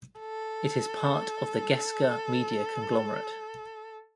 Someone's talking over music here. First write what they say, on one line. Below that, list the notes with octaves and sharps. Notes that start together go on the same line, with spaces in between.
It is part of the Gesca media conglomerate.
A4